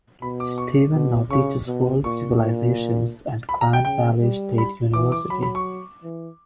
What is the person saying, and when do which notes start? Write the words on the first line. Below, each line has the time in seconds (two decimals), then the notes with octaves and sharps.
Steven now teaches World Civilizations at Grand Valley State University.
0.22 B2 B5
0.40 D6
0.58 C#6
0.95 B2
1.30 C#3 C#6
1.67 B2
2.04 A#2 C#6
2.40 A#2
3.49 B5
3.61 A#5
3.73 G5
3.85 C#3 G5
4.21 G3
4.58 B5
4.94 E3 D6
5.12 D6
5.30 F#3 B5
5.43 B5
5.55 C#6
6.04 E3